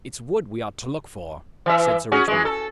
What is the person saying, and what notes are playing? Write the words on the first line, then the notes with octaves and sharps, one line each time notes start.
"It's wood we ought to look for," said Sir Richmond.
E3 E5
C#4 F#4 G#4
E3 G#3
A4